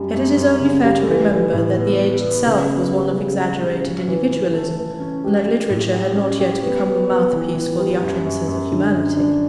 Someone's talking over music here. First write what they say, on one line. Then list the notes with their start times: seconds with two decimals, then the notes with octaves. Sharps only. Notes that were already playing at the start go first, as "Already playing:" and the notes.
Yet it is only fair to remember that the age itself was one of exaggerated individualism and that literature had not yet become a mouthpiece for the utterances of humanity.
Already playing: F#2 G3
0.13 F#2
0.37 F#2
0.59 C#3
0.83 G3
1.07 E3
1.30 E3
1.53 A2
1.75 B3
1.99 B3
2.22 B3
2.45 C#3
2.68 B3
2.92 G3
3.14 C#3
3.39 G3
3.61 C#3
3.84 C#4
4.08 E3
4.31 E3
4.54 A3
4.77 E3
5.00 C#4
5.24 G4
5.46 G4
5.70 A2
5.92 G4
6.16 C#4
6.39 G4
6.62 B3
6.86 B3
7.09 B3
7.32 E3
7.55 E3
7.79 G3
8.01 F#2
8.25 F#2
8.47 F#2
8.72 D3
8.94 F#2
9.17 D4